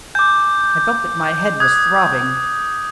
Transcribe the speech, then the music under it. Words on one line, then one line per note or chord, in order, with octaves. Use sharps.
I felt that my head was throbbing.
G#5 D6 G6
D#6 F#6 G#6